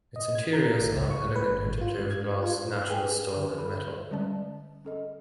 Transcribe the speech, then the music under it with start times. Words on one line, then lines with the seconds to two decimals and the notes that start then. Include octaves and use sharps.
Its interiors are an elegant interplay of glass, natural stone and metal.
0.16 D#5
0.35 G#6
0.53 A#5
0.80 G#1
0.93 C#2
1.11 C#6
1.36 B4
1.49 G#1
1.81 F4
1.96 G#2
2.11 G#6
2.42 F4
2.89 G#4 B4 G5 G#5
3.36 D3
3.58 A4 B5
4.10 D3 G3 G#3 C#4 D5 A5
4.85 C#4 A4 D#5